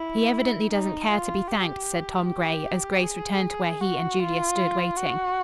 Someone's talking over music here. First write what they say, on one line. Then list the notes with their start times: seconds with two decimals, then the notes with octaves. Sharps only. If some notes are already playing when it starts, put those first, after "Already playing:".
"He evidently doesn't care to be thanked," said Tom Gray as Grace returned to where he and Julia stood waiting.
Already playing: E4
0.71 D#4
1.09 F4
1.48 G4
2.26 G4
3.03 G#4
3.81 F#4
4.19 F4
4.96 F#4